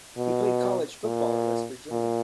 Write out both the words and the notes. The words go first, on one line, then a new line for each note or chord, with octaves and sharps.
He played college football at West Virginia.
B2
A#2
A#2